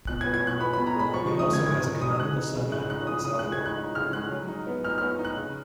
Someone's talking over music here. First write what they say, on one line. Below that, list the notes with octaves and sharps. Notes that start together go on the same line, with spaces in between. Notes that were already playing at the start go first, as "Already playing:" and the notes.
It also has a canonical sundial on the south wall.
B2 F#6
G#6
B3
G#6
B2 F#6
B3 B5
B5
B2
A#5
G#3 B5
F3 C#6
C#6
D#4
D#6
G#2 G#6
G#2 G#6
D#4
D#4 D#6
G#3 F#6
D#4
C#3
C#3 F#6
D#4 F#6
C#3 D#6
C#3 D#6
F#6
G#3
G#6
D#4
F#6
D#4
C#3 F6
G#3 F#6
F#3
D#4
B3
D#4 F6
F6
B3
D#4
F#6
C#3